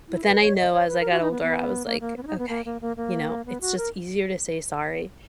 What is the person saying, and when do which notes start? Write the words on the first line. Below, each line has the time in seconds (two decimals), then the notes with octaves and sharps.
But then I know as I got older, I was like, "Okay, you know, it's just easier to say sorry."
0.08 E4
0.25 B4
0.40 C#5
0.56 D#5
0.72 C#5
0.88 B4
1.00 A#4
1.10 F#4
1.21 D#4
1.31 B3
1.42 B3
1.85 A#3
2.00 A#3
2.17 B3
2.23 C#4
2.27 D#4
2.38 B3
2.49 A#3
2.65 A#3
2.81 A#3
2.97 A#3
3.45 B3
3.61 F#4
3.77 A#4